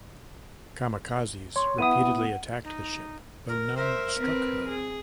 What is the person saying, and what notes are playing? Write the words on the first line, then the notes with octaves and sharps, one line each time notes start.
Kamikazes repeatedly attacked the ship, though none struck her.
C#5 C6
B3 E4 F#5 D#6 D#7
D#4
A#4
A#4 C5 E5
C4 B4
G#4